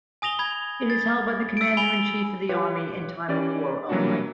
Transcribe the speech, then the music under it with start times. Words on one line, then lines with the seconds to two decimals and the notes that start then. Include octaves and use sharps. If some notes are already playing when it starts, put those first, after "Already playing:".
It is held by the commander-in-chief of the Army in time of war only.
0.22 G#5 D#6 A#6 F7 G7
0.39 B5 G#6 A#6
0.90 A6
1.57 E6 D7
1.77 G#5 B5 D7 G7
2.49 F4 G4 B4 C#5
3.28 E3 C#4 G4 D5 A6
3.89 E3 F#3 G3 A#3 D4 F#4